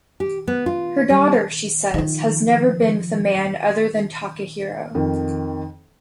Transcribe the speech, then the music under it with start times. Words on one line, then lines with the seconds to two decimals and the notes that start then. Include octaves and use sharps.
Her daughter, she says, has never been with a man other than Takehiro.
0.20 G4
0.47 B3
0.66 F4
1.10 G3
1.94 D#3 F3
4.95 F2 D#3